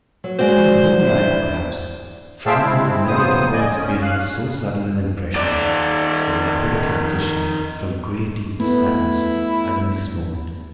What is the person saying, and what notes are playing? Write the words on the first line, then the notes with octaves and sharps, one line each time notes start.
In his whole life, perhaps, Franz had never before experienced so sudden an impression, so rapid a transition from gayety to sadness, as in this moment.
F#3
G#3 F#4 C5 D5
D4 E4
G#4 C5 E5 F5 G5 A5
G#3 C4 E4
F2 C#3 F#3 B3 C5 D#6
D5 D#5 G#5
C#4
F5 F#6
D#3 D5
A3 B3 E4